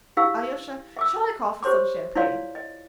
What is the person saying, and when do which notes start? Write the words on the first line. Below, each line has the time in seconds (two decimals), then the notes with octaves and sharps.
Alyosha, shall I call for some champagne?
0.17 E4 G4 F5 E6
0.97 E5 D6 E6
1.63 G4 C5 C#5 C6 D6
2.16 E4 F4 C#5 D5 F5 C6
2.55 D#5